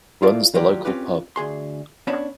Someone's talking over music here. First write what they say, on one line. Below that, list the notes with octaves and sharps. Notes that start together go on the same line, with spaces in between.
Runs the local pub.
E4 F4 A4 D5 F5
D#2 F#3 F4 G4 D5
C4 C#4 F4 G4 B4
D2 G#4 C6
B3 C#4 D4 C#5 A5 B5